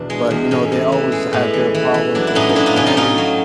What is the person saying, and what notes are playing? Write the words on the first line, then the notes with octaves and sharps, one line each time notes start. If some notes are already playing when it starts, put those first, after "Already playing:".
but, you know, they always have their problems, they're both married,
Already playing: E2 B2 D4
G#3
E2
A2 C#4
A2
E3
G#3
A2 C#4
E3
E3
E3
F#3 D4
E4
A2 C#4 D#4
D#4
F#3 D4 E4
D#4 F4
A2 C#4 D#4
D#4 F4
A2 D#4 F4
F#3